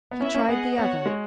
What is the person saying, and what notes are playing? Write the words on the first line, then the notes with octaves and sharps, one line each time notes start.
He tried the other.
B3
C#4 E4 B4 E5
C#4
B3 G#4 D#5 F#5
B3 F#4 C#5 F#5
G#3